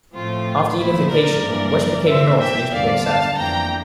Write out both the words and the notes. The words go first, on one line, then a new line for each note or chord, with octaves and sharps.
After unification, west became north and east became south.
A2 F3 A3 C4 F4
A#2 F3 A3 E4
A#4 D5
G2 E3 A#3 D4
C3 E3 A#3 C5 E5
E5 G5
E2 D3 G3 D4 D5 F5
F5 A5
F2 E3 A#3 D4 G5 A#5